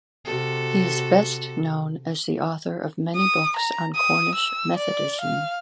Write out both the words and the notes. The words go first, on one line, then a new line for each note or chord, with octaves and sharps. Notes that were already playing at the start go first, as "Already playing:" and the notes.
He is best known as the author of many books on Cornish Methodism.
C3 F#4 A4
D#6
A#5
D#6
E6
D5
F5